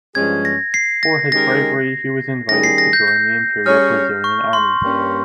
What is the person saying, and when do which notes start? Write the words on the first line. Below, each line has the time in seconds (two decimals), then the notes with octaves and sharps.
For his bravery he was invited to join the Imperial Brazilian Army.
0.15 G2 F3 G#3 C#4 G#4 G#6
0.45 A#6
0.74 C7
1.03 A#6
1.32 D#3 G#3 C#4 G4 A#4 A#6
2.49 D#3 G3 C#4 G#4 A#6
2.64 C7
2.78 A#6
2.93 G6
3.08 G6
3.66 G3 C#4 G#4 C#5 F6
4.24 C#6
4.53 C6
4.82 G2 G3 A#3 C#4